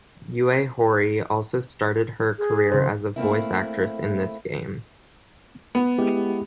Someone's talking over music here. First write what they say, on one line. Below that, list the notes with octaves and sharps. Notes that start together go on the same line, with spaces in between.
Yui Horie also started her career as a voice actress in this game.
G#4
C#3 C5
A3 A#3 C4 E4
B3
G#3 E4 G4